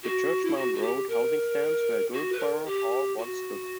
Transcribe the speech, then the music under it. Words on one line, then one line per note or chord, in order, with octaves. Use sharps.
The Church Mount road housing stands where Guilsborough Hall once stood.
F#4
E4
F#4
F#4
G4
A#4
F#4
B4
A#4
G4
F#4